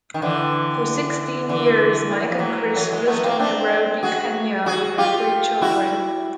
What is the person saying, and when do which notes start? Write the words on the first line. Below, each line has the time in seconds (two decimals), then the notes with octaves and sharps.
For sixteen years Mike and Chris lived in Nairobi, Kenya with their three children.
0.14 D#3
0.22 D3 E3
1.49 D3 E3
2.12 G3
2.21 F#3
2.30 F3
2.39 E3 F#3
2.75 E3 F#3
2.92 F#3 G#3
3.07 A3 B3
3.23 A#3 C4
3.39 C4 D4
4.03 F#4 G#4
4.66 F#4 G#4
4.98 F4 G4
5.61 E4 F#4